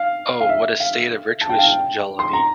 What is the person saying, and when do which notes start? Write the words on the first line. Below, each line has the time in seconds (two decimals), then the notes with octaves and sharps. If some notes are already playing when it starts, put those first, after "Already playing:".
Oh, what a state of virtuous jollity!
Already playing: F5
0.41 F5
0.49 E5
0.80 F5
1.41 A5
1.49 G5
1.59 F5
1.67 G5
2.19 C6
2.33 A#5